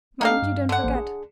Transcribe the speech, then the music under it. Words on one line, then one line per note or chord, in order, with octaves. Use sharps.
'Mind you don't forget.
A3 D4 D#4 G4 A4 F5
G2
D3 F#5
A1 A#3 C5
G#4